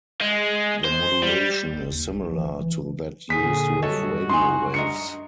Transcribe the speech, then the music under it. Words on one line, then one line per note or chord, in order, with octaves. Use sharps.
The modulation is similar to that used with radio waves.
G#3
C5
G3
F#1
D#2
F#1
B1
E3
E1
E3
A#2 D3 G#4 B6
F#2 G3 F#4 A4 C#5 D#5
D#4 G#5 C6
D4 A#4 D#5 C#7